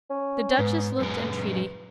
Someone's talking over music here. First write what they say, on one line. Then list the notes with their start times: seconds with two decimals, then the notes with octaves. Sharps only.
The Duchess looked entreaty.
0.10 C#4
0.59 G#2 B3
1.00 F#2 G#3